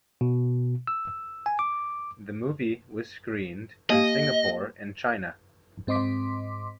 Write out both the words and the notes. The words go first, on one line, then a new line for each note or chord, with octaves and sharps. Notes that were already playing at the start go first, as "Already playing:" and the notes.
The movie was screened in Singapore and China.
B2
E6
G#5
D6
A#3 G4 D#5 F5
G#2 C4 D#5 C6 D6 B6